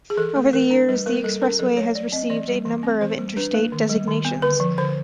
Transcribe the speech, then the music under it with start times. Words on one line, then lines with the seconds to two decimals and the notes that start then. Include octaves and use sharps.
Over the years, the expressway has received a number of Interstate designations.
0.10 G#4
0.17 E3 A4
0.36 A3
0.53 E3 A#4
0.71 D4
0.89 G3 B4
1.06 A#3 A#4
1.24 G3 A4
1.42 C#4 A#4
1.59 F#3 A4
1.77 A3 C#5
1.95 F#3 D5
2.12 C4 D#5
2.30 E3 D5
2.48 G3
2.65 E3
2.83 C4
3.01 E3 C5
3.19 G3
3.36 D4 B4
3.54 A#3
3.72 D#3
3.89 G3
4.07 D#3
4.25 B3
4.42 D3 B4
4.60 F3
4.78 D3 C5